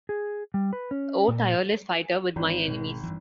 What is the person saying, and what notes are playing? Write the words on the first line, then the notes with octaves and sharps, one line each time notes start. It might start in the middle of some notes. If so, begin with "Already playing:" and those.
O tireless fighter with my enemies!
G#4
G3
B4
C#4
A#2
G#1 E3
B2 G#3
G2 E3